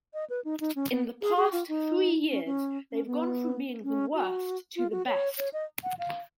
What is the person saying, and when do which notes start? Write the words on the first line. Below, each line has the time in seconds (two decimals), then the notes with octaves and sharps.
In the past three years, they've gone from being the worst to the best.
0.14 D#5
0.30 B4
0.44 D#4
0.60 D#4
0.76 C#4
0.91 B3
1.22 G#4
1.37 G#4
1.53 F4
1.68 D#4
2.30 C#4
2.45 C#4
2.92 C#4
3.06 B3
3.84 C#4
4.14 F#4
4.76 F4
4.92 F#4
5.07 C#5
5.38 C#5
5.53 D#5
5.84 F#5
5.99 F5